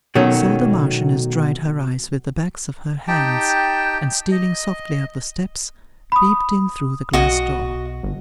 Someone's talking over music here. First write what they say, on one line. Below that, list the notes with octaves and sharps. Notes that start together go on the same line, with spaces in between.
So the Marchioness dried her eyes with the backs of her hands, and, stealing softly up the steps, peeped in through the glass door.
B2 D#3 F#3 A3 C#4
D#4 G4 G5 A5
D#5
B5 D#6
B1 F#4 D#5
G1